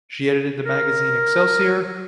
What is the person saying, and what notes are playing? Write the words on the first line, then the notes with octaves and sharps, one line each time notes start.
She edited the magazine "Excelsior".
A#4